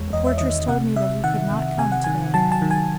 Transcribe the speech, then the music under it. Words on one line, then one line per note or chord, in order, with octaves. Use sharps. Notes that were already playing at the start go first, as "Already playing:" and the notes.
"The portress told me that he could not come to-day."
Already playing: E2 G#3 C#5
E2 D#5
E5
D#3 D#5
C3 F#5
C3 E5
D#3 F#5
C3
C3 G#5
F#5
D#3 G#5
F#3 A5
A5
D#3
G#5